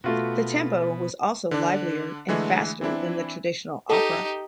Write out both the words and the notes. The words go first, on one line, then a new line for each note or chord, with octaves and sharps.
The tempo was also livelier and faster than the traditional opera.
B2 A3 F4 F#4
D3 D4
D3 E3 G#3 A3
E3 C4 D4 E4
D#4 G4 A4